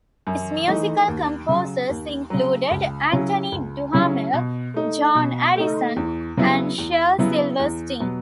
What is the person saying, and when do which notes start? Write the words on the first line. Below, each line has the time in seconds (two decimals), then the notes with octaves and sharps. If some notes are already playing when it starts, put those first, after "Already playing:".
His musical composers included Antoine Duhamel, John Addison and Shel Silverstein.
0.27 F#2
0.68 E3 A3 D#4
1.08 D#2
1.49 C#3 F#3
1.90 D#2
2.30 C#3 F#3
2.71 C#2
3.12 C#3 F#3 C#4 E4
3.52 C#2
3.93 C#3 F#3 C#4 E4
4.34 B2
4.74 A3 D#4
5.15 B2
5.56 A3 D#4
5.96 E2
6.37 C#3 F#3 B3 E4
6.78 E2
7.19 C#3 F#3 B3 E4
7.59 E2
8.00 B2 F#3 B3